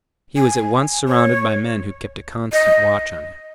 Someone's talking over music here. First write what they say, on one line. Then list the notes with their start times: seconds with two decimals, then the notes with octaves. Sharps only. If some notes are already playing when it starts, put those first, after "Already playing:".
He was at once surrounded by men who kept a constant watch on him.
0.36 G#5
1.08 C#5
2.52 D#5